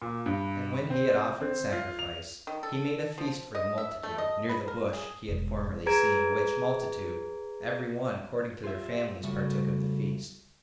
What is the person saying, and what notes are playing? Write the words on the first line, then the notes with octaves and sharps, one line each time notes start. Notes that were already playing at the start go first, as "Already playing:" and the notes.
And when he had offered sacrifice, he made a feast for the multitude, near the Bush he had formerly seen; which multitude, every one according to their families, partook of the feast.
A#2
G2
C4
C4
F4
F7
D#3
A4
F3
D#5
E5
A3
D#5
B4
A#4
G#4
E1
G#4 B4 A#5 G#6 D7
F4 G4 E5
C#3 G3 A3 F#4